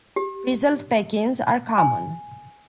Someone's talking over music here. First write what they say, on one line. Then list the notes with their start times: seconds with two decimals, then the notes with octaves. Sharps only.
Frizzled Pekins are common.
0.16 G4
1.78 G#5